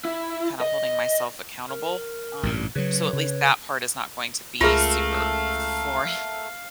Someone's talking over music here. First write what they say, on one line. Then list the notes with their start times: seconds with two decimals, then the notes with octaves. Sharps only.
kinda holding myself accountable, um, so at least that part is not going to be super foreign
0.05 E4
0.61 D#5
1.69 A#4
2.43 A1 G2 A#2
2.75 C#3 F#3 B4 C#5
3.13 C#3
4.61 C#2 A3 F4 G#4 A#4 F5